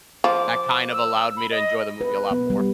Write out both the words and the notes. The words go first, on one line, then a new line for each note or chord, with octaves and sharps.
that kind of allowed me to enjoy the movie a lot more.
F3 D6
E6
B5
D#5
B4
B3
G3